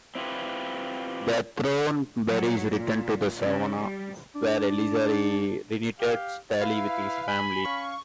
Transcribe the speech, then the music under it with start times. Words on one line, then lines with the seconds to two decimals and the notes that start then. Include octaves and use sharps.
The Thornberrys return to the Savannah, where Eliza reunites Tally with his family.
0.15 C4 E4 F4 G4 B4
2.29 F#3
2.76 A#2
3.39 C#3
3.79 G3
4.35 D4
6.00 G4 F5
6.61 E4 B4 F5
7.28 G#5 B5
7.65 C#4 F5 C#6